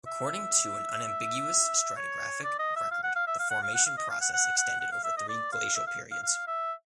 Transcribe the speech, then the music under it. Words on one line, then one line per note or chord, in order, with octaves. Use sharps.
According to an unambiguous stratigraphic record the formation process extended over three glacial periods.
E5
C#5
D5
D#5
E5
F5
F#5
F5
E5
F5
F#5
F5
F#5
F5
D#5
F5
F#5
F#5
F#5
F#5
F5
E5
D#5
D5
F5
E5
F5
F5
F5
E5